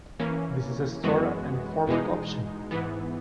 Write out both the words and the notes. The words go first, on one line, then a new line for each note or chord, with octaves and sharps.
This is a store and forward option.
E3 A#3 C#4
F#2 E3 G#3 B3 F#4
E2 B2 G#3 D#4
G#2 E3 B3